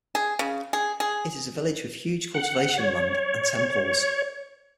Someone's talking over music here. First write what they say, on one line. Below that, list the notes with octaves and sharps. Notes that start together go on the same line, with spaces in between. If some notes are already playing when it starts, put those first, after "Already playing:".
It is a village with huge cultivation land and temples.
G#4
C#3
G#4
G#4
F#5
C#5